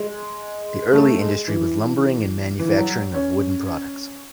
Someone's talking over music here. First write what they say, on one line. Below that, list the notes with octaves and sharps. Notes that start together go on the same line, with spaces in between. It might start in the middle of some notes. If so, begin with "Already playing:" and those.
The early industry was lumbering and manufacturing of wooden products.
Already playing: G#3
A3
G#3
E3
E3
F#3
C#4